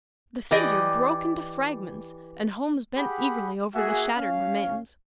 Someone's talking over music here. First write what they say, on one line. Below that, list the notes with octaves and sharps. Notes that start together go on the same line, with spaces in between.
The figure broke into fragments, and Holmes bent eagerly over the shattered remains.
E3 G4 D5 D#5
G4 G#4 F#5 B5
A#3 F#4 G#4 E5 F#5 G#5
C#4 F5